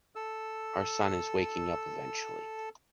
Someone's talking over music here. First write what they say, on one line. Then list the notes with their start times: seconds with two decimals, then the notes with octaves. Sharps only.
Our son is waking up eventually.
0.15 A4 E6